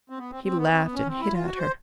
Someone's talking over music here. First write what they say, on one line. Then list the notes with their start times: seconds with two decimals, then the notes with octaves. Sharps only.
He laughed and hit at her.
0.10 C4
0.18 B3
0.31 C4
0.44 C4
0.57 B3
0.69 C4
0.82 B3
0.94 C#4
1.07 C4
1.20 E4
1.33 F4
1.45 F#4
1.58 C5